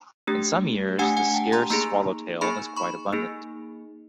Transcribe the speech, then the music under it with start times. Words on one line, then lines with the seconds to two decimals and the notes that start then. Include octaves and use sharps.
In some years the scarce swallowtail is quite abundant.
0.27 A3 D4 G4
0.99 A3 D4 G4 F#5 G#5
1.17 F#5 G#5
1.34 G5 A5
1.52 A#5 C6
1.70 A#3 D#4 G#4 A#5 C6
2.41 A#3 D#4 G#4 B5 C#6
2.77 B5 C#6
3.13 A#3 D#4 G#4